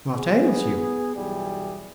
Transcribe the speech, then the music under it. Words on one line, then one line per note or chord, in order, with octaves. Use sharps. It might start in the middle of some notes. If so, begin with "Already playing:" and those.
'What ails you?
B3 G#4
B1 E3 G3 G#4